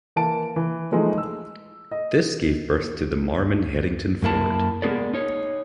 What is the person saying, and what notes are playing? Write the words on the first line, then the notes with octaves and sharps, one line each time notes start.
This gave birth to the Marmon-Herrington Ford.
E3 A#3 A5 D7
E3
E3 F3 G#3 A3 D#4
E6
D#5
F#2 A#3 E4 A5
G#3 A#3 B3 G#4 A4 D5
D#4 C#5